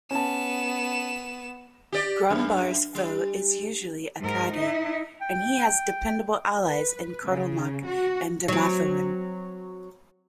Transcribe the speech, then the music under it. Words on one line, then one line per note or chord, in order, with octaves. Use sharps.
Grumbar's foe is usually Akadi, and he has dependable allies in Kurtulmak and Dumathoin.
B3 C#4 A5 E7
G4 D5
F#2
G3
G#2 A#4
D#4 E4
G5
B4
C#3
F#4
F#3 C4